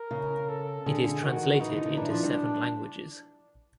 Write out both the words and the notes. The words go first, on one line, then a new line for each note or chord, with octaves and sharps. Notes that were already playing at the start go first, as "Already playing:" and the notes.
It is translated into seven languages.
Already playing: A#4
C#3
A4
D3 G#4
D3
D#3 F#4
E3 D#4
D3
D3
E3 D4
F3
G3